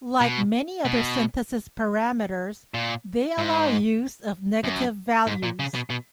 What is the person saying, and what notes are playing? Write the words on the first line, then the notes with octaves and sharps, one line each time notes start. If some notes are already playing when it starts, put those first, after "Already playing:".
Like many other synthesis parameters, they allow use of negative values.
B2
B2
A#2
G#2
F#2
G#2
A#2
C#3
B2
B2